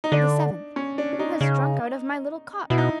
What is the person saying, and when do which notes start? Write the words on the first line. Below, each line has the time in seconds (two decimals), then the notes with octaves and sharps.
The seventh, "Who has drunk out of my little cup?"
0.04 D#4
0.12 D3 D4
0.76 C#4
0.98 D4
1.13 D4
1.19 D#4
1.41 C#3
2.70 B2 E4
2.78 D#4